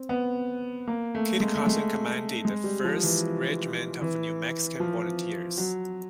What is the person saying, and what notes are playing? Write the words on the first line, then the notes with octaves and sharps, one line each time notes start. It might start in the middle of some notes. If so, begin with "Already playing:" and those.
Kit Carson commanded the First Regiment of New Mexican volunteers.
Already playing: C4
B3
A#3
A3
G#3
A3
G#3
G#3
G3
F3
E3
E3
F3
F#3